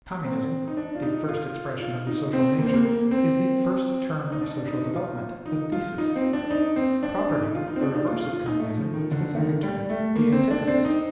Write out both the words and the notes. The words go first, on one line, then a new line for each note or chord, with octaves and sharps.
Communism--the first expression of the social nature--is the first term of social development,--the THESIS; property, the reverse of communism, is the second term,--the ANTITHESIS.
C4
D#4
D4
F4
D#4
F4
F4
D#4
C4
A#3
C4
A#3
A#3
C4
D#4
D4
D#4
F4
D#4
F4
D#4
C4
D4
D#4
C4
D4
D#4
F4
D#4
C4
D4
D#4
F4
F4
F4
D#4
A3
F3
D#3
D3
D#3
G3
A3
A#3
C4
D4
C4
D#4